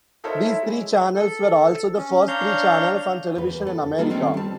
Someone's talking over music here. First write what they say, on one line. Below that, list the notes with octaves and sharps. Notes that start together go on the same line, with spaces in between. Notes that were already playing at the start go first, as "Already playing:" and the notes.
These three channels were also the first three channels on Television in America.
D#4 A4 A#4 C5 C#5 E5
E4 E5
G#3
A4
C#4
D4 C#5 F5 A#5 G6
E2 B4
A4
D#3 G3 A#3 D4 F4 A4
D#3 C4 C#4 A4
G3 A5